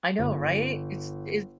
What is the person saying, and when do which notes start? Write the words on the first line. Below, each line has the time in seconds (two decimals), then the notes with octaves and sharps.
I know, right? It's it's
0.19 G1